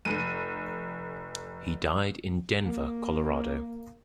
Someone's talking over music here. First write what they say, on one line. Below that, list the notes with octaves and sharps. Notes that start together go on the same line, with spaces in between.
He died in Denver, Colorado.
F1 D#7
A#3